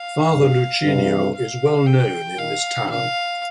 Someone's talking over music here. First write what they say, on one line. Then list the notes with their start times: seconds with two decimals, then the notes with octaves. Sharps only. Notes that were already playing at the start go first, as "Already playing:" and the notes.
Father Lucinio is well known in this town.
Already playing: F5
0.33 G2
0.84 G2 C3
1.35 F5
1.86 G5
2.38 A#2 D#3 F5
2.89 A#2 F5